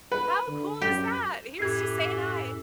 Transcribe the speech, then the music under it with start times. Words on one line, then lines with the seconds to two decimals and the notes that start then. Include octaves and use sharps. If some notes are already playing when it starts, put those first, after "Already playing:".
How cool is that? He was just saying "Hi!" and
0.12 B4
0.48 D3
0.81 F#2 G4
1.59 F#2 A2 E3 G4 A4 G#6 C7